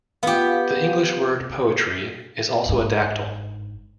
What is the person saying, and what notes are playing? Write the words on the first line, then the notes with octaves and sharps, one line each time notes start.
The English word "poetry" is also a dactyl.
B3 F4 G4 F5
G1 G#2